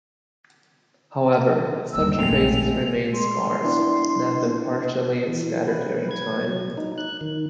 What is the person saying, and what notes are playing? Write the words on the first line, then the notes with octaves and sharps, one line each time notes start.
However, such traces remain scarce and have been partially scattered during time.
D#2 G3 E6
G2 D3
D#1 F#2 A#2 F#3 G#3 A3 C4 F7
A#1 D#2
B2
G#3 C6
B3 D4 E4
E3
B4
G#6
F#3
D#4
F#6
D#3